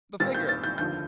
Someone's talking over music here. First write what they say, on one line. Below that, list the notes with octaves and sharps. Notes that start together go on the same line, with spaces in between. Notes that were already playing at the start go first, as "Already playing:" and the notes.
The figure!
A#1 A#2 G3 C4 A6
G6
A6
G6
F1 D#2 D3 F3 G6